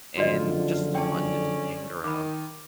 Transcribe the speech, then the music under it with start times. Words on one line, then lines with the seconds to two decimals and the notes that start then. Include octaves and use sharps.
and just fun to hang around.
0.18 F#1 F2 D3 F4 F#4 D5 D#5
0.95 C#4 D5 G5 A5
2.04 D#3 B5 D6